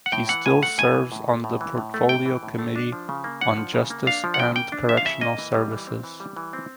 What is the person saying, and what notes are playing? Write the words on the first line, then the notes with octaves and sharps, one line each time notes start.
He still serves on the Portfolio Committee on Justice and Correctional Services.
F#5
A2 G5
E3 F#5
A2 G#5
A3 F#5
A2 G#5
E3
A2
A3
A2
E3
A2
A3
A2 G5
E3
A2
A3
D4
F3
C#3
A#3
D4 F#5
F3
C#3
A#3
D4 F5
F3
F#5
C#3 G5
A#3 G5
D4
F3 E5
F5
C#3 E5
A#3 D#5
E3
G3
E3
C4
E3
G3
E3
C4